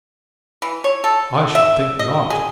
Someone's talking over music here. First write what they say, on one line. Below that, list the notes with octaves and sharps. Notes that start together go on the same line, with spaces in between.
"I should think not."
E3
C#5
A4
E5
D#5
G#4